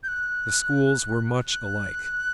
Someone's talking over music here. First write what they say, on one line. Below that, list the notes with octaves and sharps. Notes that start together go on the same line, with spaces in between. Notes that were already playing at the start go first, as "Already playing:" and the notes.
The schools were much alike.
G6
F#6
F#6